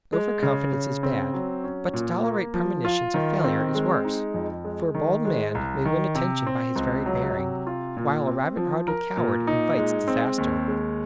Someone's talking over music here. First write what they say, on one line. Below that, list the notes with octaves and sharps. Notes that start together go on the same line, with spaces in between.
Over-confidence is bad, but to tolerate premonitions of failure is worse, for a bold man may win attention by his very bearing, while a rabbit-hearted coward invites disaster.
G#3
C#3
C#3
C4
F#3
C#4
A#2
A#3
F3
F4
D#3
C4
G#3
D#4
F2
G#3
D#3
G#3
C2
D#3
C3
C4
C#2
F#3
C3
F4
A#2
C4
F3
A#4
A#2
D#4
G#3
C4
D#2
G#3